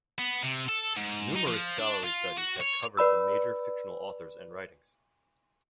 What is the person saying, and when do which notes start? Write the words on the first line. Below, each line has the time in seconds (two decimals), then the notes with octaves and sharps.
Numerous scholarly studies have covered the major fictional authors and writings.
0.19 B3
0.44 C3
0.69 A4
0.96 G#2
1.36 D#4
1.47 F3
1.78 D4
2.04 F4
2.38 F#4
2.60 C#5
2.97 B4 D5 B5 E6